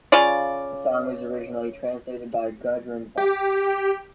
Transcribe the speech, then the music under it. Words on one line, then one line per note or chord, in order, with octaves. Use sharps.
The song was originally translated by Gudrun Fox.
C#3 F4 D5
G4